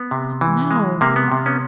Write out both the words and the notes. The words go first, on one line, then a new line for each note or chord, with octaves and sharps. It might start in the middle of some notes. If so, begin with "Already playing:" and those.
But now!
Already playing: B3
C3
E3
G#3
C3 A#3
B3
C3
B3 C#4